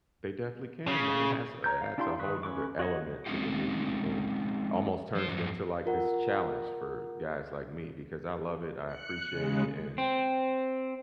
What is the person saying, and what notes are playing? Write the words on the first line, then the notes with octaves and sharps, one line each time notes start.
They definitely can, man, it has a adds a whole 'nother element to the movie and almost turns it into, like, this challenge for guys like me because I love it, I appreciate it, and
C#3
C#5 A#5 G6
F5
D4 E4 G4 F5 C6
D#3 B4 E5 C#6 D#6
C#4 B4 C#6 D6
F#4 C#5 D#5 F#5
G#3 C4 C#4 D#4 F4 G4
F3 C5
G2 F3 F#3
F4 A#4 F#5
F#6 C#7
C#3 G#3
C4